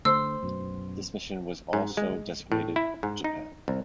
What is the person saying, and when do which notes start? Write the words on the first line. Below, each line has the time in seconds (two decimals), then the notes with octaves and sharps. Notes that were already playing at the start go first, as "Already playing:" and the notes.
This mission was also designated "Japan".
0.05 D3 A3 C5 E6
0.43 F#2 B2
1.73 G#2
1.97 G#3
2.52 A2
2.76 E4
3.03 G#2
3.24 D#4
3.68 C2